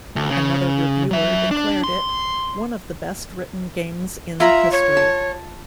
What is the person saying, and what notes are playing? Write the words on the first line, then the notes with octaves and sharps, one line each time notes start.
Another reviewer declared it "one of the best written games in history".
D2
C#3
F#3 E5
D4
C6
F4 E5 A#5 B5
C#5
A5